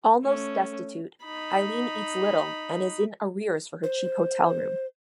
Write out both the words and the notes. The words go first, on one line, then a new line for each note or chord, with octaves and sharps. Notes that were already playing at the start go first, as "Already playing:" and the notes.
Almost destitute, Eileen eats little and is in arrears for her cheap hotel room.
A3 C#4
D#4 B5
C5